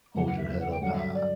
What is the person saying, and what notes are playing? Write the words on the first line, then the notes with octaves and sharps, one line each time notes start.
Hold your head up high.
F#2 C#3 E3 F#5
F#5
E5
E5
F#5
G5
G2 D3 F#3 C#4 F#5
E5
D5